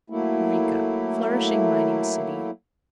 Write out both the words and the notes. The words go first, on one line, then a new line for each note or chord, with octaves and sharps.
Yreka.--Flourishing mining city.
F#3 A3 A#3 E4